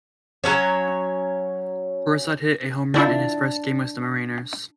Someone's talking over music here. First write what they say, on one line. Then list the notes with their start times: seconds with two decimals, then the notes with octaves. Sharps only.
Broussard hit a home run in his first game with the Mariners.
0.44 F#3 G#3 C#4 C#5
2.94 D#3 D4 E4 F4